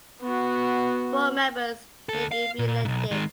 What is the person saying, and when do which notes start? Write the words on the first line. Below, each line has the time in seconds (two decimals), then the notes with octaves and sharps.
Board members may be re-elected.
0.21 B3 F#4
2.09 D2 A4
2.32 F5
2.59 A#2
2.85 B1 G#2
3.11 D#3 G#3